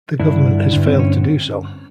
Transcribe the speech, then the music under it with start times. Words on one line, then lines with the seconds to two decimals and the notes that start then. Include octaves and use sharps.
The government has failed to do so.
0.20 G2 D3 D4 E4
0.73 G2 D3
0.86 C4
0.99 C#4